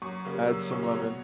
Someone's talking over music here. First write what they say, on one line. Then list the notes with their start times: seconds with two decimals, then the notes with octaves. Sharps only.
add some lemon,
0.02 F#2 C#6
0.25 C#3 G3 A#3
0.48 F#2 E6
0.71 C#3 G3 A#3 C#6
0.83 A#5
0.94 B2 C#5